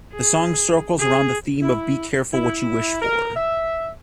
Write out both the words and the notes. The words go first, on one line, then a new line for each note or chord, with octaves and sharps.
The song circles around the theme of "be careful what you wish for".
G#4
G#4
E4
E4
A#4
E5